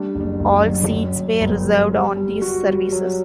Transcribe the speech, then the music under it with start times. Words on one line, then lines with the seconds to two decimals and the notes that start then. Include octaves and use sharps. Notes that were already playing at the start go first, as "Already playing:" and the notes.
All seats were reserved on these services.
Already playing: G3 A3 D4
0.15 F#1
0.40 F#1
0.66 F#2
0.91 F#2
1.16 F#2
1.41 G1
1.66 G3
1.92 G3
2.16 G3
2.42 F#4
2.67 G3
2.92 F#3